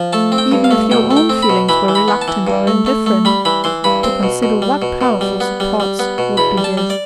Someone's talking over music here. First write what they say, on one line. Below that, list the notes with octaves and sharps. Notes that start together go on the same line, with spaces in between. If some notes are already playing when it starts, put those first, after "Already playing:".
Even if your own feelings were reluctant or indifferent, to consider what powerful supports would be his!
Already playing: F3
A3 A5
C4
G5
G2
F5
A3
B2 G5
A3
G5
C4
B5
B2
E3 B5
E3
B5
B3
A5
E3
G2
A3
A3
A3
G3 B5
E3 B5
E3 C6
G2 B5
C4 C6
B2
B2
G3
B2
B2
G3
B3
G3
G3
B3
B2
E2 B5
G3
A5
G3
D5